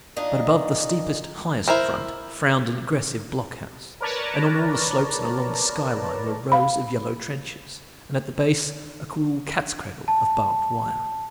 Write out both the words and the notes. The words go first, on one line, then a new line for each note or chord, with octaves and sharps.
But above the steepest, highest front frowned an aggressive block-house, and on all the slopes and along the sky-line were rows of yellow trenches, and at the base a cruel cat's cradle of barbed wire.
A#2 D4 D#4 D#5
E4 A#4 C5
A#4 B4 C#5 D5 A5 A#5
F5 B5
A5